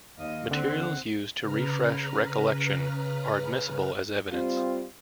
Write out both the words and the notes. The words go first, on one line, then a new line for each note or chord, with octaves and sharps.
Materials used to refresh recollection are admissible as evidence.
D#2 D#5 F5
D3 C4 F#5
C#3 B4 A#5 F6
G3 C4 F4